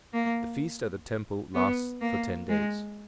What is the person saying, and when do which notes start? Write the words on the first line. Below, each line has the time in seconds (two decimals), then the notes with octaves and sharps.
The feast at the temple lasts for ten days.
0.13 A#3
1.54 B3
2.01 A#3
2.49 G#3